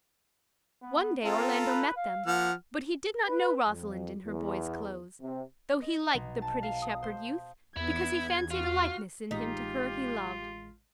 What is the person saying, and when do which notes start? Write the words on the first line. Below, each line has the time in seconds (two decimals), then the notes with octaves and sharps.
One day Orlando met them, but he did not know Rosalind in her boy's clothes, though he liked the pretty shepherd youth, because he fancied a likeness in him to her he loved.
0.82 B3
1.24 C4 F4 A4 A#5
1.65 B4
1.96 F5
2.26 F3 A#3 F#5 F6
3.27 B4
3.69 F2
4.26 E2
5.22 C3
5.82 D#5
6.14 B1
6.42 A5
6.63 F5
6.82 D#6
7.03 C5
7.76 E2 B3 E4 G#6
8.51 F4 F#4 F6
9.31 A1 G#3 D#4 F4 G4 B6